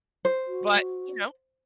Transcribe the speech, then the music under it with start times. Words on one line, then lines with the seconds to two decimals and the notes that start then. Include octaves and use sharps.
but, you know,
0.25 C5
0.47 F#4